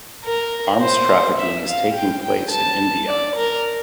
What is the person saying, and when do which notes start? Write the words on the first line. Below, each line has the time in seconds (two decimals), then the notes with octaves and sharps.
Arms trafficking is taking place in India.
0.25 A#4
0.81 C5
1.38 E5
1.67 F5
1.94 G5
2.23 G5
2.51 A5
3.08 D5
3.36 A#4